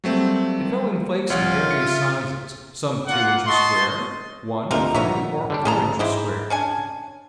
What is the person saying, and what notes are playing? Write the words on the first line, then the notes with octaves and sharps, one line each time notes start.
It fell in flakes of various sizes; some two inches square, one, three or four inches square.
F#3 G3 A3 A#3 C4
C2 F3 F4 C#5 F#5
C#3 E5 C#7
A#3 F4 F#5
D#5 A5 C6 C#6
D2 C3 D#4 F4 A#4
A#1 E3 B3 C#5 E5 A#5
D3 G3 D4
A1 G#3 C#4 A4 A5 A#5
G#2 G#3 E4 G4 C5
C#4 D4 G#5